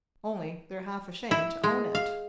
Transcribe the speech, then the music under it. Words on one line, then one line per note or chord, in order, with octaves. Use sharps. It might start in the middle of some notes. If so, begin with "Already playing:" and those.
Only they're half ashamed to own it.
E4
G#3
F5